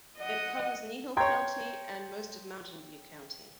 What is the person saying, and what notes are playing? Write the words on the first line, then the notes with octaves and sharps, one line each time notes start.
It covers Kneehill County and most of Mountain View County.
D#5 F#5
C#5 G5 A#5 C6 G#6